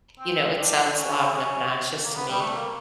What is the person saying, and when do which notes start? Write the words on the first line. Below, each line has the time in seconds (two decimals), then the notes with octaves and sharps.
you know, it sounds loud and obnoxious to me,
0.19 C4
0.58 D4
0.98 C#4
1.37 C#4
2.05 A#3
2.16 B3
2.28 G3
2.40 A3
2.54 A#3